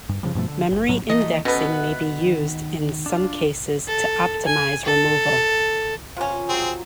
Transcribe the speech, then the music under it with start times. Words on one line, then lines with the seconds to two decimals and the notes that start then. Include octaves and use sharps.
Memory indexing may be used in some cases to optimise removal.
0.09 G2
0.23 G2 C#3 F3 G3
0.35 G2 B2 F3 A3
0.48 D3
0.72 F#1
0.88 B1 A2 F#3
1.09 E3 A3 A#3 D#5
1.45 B2 B3 C#4 A4 C5
1.71 E5 F#5
2.19 D#3
3.06 D4 F4
3.87 A4
4.46 G#5
4.85 A4
6.17 C3 C#4 F4 A#4
6.49 F3 F#3 C4 G#4 C5